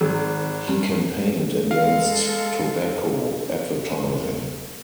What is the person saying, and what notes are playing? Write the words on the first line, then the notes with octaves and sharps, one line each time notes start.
He campaigned against tobacco advertising.
G#1
G2
G#3 A4 F5
E1